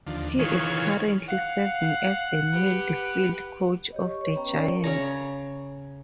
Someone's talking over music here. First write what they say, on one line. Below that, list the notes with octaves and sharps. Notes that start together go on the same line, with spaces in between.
He is currently serving as the midfield coach of the Giants.
D#2 D3 F3
D#3 E3 F4 G#4 C#5
F5 F#5
G4 B4
G4 C#5 D#5
C#6
B4 C#5
B3 C#4 G5 A#5 C#6
C#4 A#4 C#5 D5
C#3 C#5 A#5